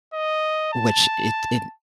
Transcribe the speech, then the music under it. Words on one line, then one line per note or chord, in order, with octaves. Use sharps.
which it it
D#5
A5